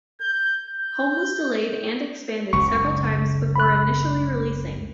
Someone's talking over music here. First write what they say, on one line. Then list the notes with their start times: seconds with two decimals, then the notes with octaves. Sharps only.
Home was delayed and expanded several times before initially releasing.
0.21 G6
0.68 G6
2.53 F#1 C#2 C#6
3.56 B5 F#6